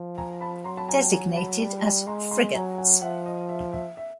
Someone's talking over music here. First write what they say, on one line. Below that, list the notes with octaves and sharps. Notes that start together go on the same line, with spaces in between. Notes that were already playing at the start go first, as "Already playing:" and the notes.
Designated as frigates.
Already playing: F3
G#5 A#5
A5 B5
F#3 A#5 C6
A5 B5
G#5 A#5
G5 A5
G#5 A#5
A5 B5
G3
G#3 A#5 C6
A#5 C6
F#3 G#5 A#5
F#5 G#5
F3 E5 F#5
D#5
E5
E5
E5